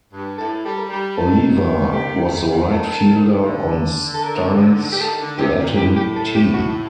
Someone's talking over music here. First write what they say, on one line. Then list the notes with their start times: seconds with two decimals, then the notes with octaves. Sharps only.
Oliva was the right fielder on Stein's Latin team.
0.13 G2
0.38 A2 A4
0.65 G3 A4
0.77 A#4
0.90 G3
1.16 D#3 A4
1.92 G4
2.70 A4
3.46 D3
4.14 A4
4.23 A#4
4.92 G4
5.00 D#3 A4
5.19 D3
5.38 C3 G4
5.58 A#2
5.77 A2 G4
5.96 G4
6.16 A4
6.35 G4
6.54 F#4